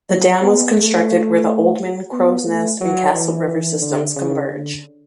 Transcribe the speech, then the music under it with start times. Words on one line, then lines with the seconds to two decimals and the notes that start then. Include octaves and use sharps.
The dam was constructed where the Oldman, Crowsnest, and Castle river systems converge.
0.09 F#3
0.43 B3
0.77 A3
2.12 B3
2.46 A3
2.81 F#3
3.14 E3
3.48 E3
3.82 D3
4.16 C#3
4.50 D3